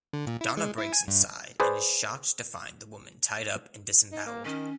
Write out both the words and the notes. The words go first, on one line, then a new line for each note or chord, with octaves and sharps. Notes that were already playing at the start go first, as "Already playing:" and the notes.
Donna breaks inside and is shocked to find the woman tied up and disembowelled.
D3
A#2
E4
G#3
E4
G#5
G2
G#4 B4 C5 D5
D#4
A#3
D#3 C#4